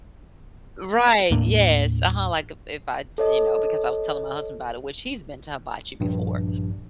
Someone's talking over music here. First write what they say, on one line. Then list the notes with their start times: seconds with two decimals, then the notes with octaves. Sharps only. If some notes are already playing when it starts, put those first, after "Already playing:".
right. Yes. Uh-huh. Like, if I, you know, because I was telling my husband about it, which he's been to hibachi before,
1.30 D#2 A2 A#3 D4
3.18 A4 C#5 D#5
6.00 A#1 G2